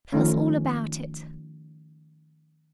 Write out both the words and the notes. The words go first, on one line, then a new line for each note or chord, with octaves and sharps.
Tell us all about it.'
D#3 F3 A3 C#4